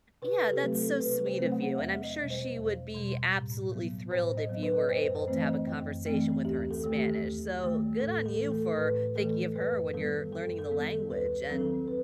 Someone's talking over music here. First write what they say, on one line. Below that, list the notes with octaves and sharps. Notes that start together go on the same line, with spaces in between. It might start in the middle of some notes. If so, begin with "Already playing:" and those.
Yeah, that's so sweet of you, and I'm sure she would be absolutely thrilled if you were able to have a conversation with her in Spanish, so good on you for thinking of her when you're learning the language, and,
C3 B4
A4
G4
F#3 A3 C4
A4
C3 B4
C5
F#3 A3 C4
F#5
E2 E5
D#5
B2 G3
C5
E2
B2 G3
A2
F#3 B3
A2 C5
D#5
F#3 B3
B4
D#5
F#2 C5
C5
E3 A3 C4
D#5
F#2
E3 A3 C4
D#2 G4
A4
D#3 A3
G4
D#2
D#3 A3
A2 A4
A4
E3 A3
A4
A2 B4
E3 A3 A4
F#2 B4
D#3 G3 B3 A4
F#2 A4
A4
D#3 G3 B3
A4
D#2 B4
D#3 F#3 C4 A4
B4